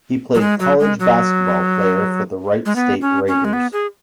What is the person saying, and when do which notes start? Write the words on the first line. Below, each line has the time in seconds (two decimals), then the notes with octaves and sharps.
He played college basketball player for the Wright State Raiders.
0.35 F#3
0.41 G#3
0.60 F#3
0.80 G#3
1.00 F#3
2.66 G#3
2.76 B3
3.01 C#4
3.27 C#4
3.45 G#3
3.53 B3
3.73 G#4